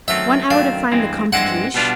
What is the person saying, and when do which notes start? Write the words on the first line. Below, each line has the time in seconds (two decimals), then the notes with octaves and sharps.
"One hour to find the Comte de Guiche."
0.08 F#2 D#3 F#3 A3 C4 E5
0.50 F#2 D#3 F#3 A3 C4 F5
0.92 G2 E3 G#3 C4
1.33 G2 E3 G#3 C4 F#5
1.74 B2 G3 B3 D4 F4